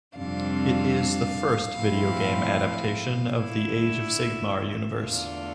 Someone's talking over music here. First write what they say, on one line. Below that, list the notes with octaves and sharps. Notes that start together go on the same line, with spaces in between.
It is the first video game adaptation of the "Age of Sigmar" universe.
F2 C3 G3 D4 F4 F5
A2 F3 C4 E4
D3 A3 E4 E5
E2 D3 A3 D4 F4 F5